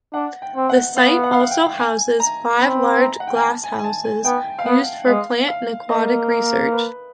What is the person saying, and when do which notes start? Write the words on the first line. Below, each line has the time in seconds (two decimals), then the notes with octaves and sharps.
The site also houses five large glasshouses, used for plant and aquatic research.
0.14 D4 F#5
0.42 G5
0.56 C4
0.69 F#5
0.97 B3 F5
1.24 F#5
1.33 F5
1.40 F#5
1.51 G5
1.79 G#5
2.20 A#5
2.60 C4 B5
3.02 A#5
3.20 F#5
3.27 G5
3.35 G#5
3.43 A5
3.63 G#5
3.79 G#5
3.84 A5
4.04 G#5
4.25 B3 G5
4.59 F5
4.66 B3 F#5
5.07 G#3 F5
5.48 F5
5.89 A#3 D#5
6.30 A#4
6.72 B4